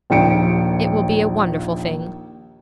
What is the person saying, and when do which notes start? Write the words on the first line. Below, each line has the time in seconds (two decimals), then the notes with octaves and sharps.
It will be a wonderful thing!'
0.10 A#1 D#2 G5 C#7 D7